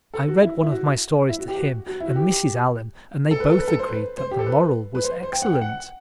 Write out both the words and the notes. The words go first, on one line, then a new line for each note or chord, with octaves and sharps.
I read one of my stories to him and Mrs. Allan and they both agreed that the moral was excellent.
A4
F#4
E4
E4
F#4
E4
F#4
G4
F#4
F#4
E4
F#4
G4
A4
B4
A4
B4
A4
C5
B4
C5
G4
A4
B4
B4
C5
C5
G5
F#5
G5
F#5